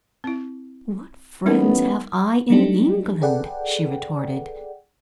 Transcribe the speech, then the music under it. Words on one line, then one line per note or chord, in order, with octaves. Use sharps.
"What friends have I in England?" she retorted.
C4 E4
A1 G3 B3 D#4 A#4
F#3 G3 A3 D4 D#4 G4
G#4 A4 B4 D5 F#5 G5